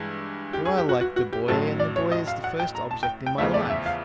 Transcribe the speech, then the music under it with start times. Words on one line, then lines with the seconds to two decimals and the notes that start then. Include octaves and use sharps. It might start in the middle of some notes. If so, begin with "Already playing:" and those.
You are like the boy, and the boy is the first object in my life.
Already playing: G2 E3 G#3
0.53 G4
0.65 G#4
0.77 G4
0.89 F#4
1.01 F#4
1.16 F#4
1.33 G4
1.48 A1 A2 F#3 A4
1.80 D5
1.96 C#5
2.12 D#5
2.28 F5
2.44 F#5
2.60 G5
2.75 A#5
2.91 A5
3.03 G5
3.26 G5
3.38 E2 C#3 F3 A3 E5
3.54 D5
3.70 E5
3.86 F5